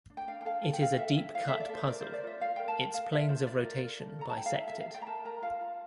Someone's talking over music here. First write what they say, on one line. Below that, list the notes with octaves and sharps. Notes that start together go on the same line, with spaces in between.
It is a "deep-cut" puzzle; its planes of rotation bisect it.
D4
G5
D4 F5
G5
A4 F5
A4
G5
A4 F5
A4 E5
E4 E5
E4 F5
A4 E5
D5
A4 C5
A#4 D5
A#4 C5
D5
F4 E5
F4 F5
A#4 G5
A5
A#4
A#4 F5
A#4 E5
F4 C5
F4 D5
A#4
A#4
A4
A4 A#5
A5
E4 G5
F5
E4 E5
A4 E5
F5
A4 G5
A#5
A#4 A5
A#4 A#5
F4 F5
F4